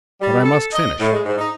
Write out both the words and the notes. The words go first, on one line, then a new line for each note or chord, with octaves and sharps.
But I must finish.
G3
A4
D#5
A2
G#3
G#2
D#4